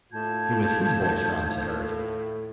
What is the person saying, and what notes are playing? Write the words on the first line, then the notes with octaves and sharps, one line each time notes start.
It was his voice Franz had heard.
D#2 A2 F4 A5 G6 G#6